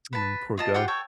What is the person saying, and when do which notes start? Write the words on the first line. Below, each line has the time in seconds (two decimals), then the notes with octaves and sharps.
No, poor guy.
0.13 B4 A5
0.58 F4 D#5 A5
0.74 F4 G4 F#5
0.88 A4 C#5 G5